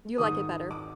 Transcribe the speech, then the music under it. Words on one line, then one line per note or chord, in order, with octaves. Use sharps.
You like it better?
G#2 D#3 G#3 D#6
D6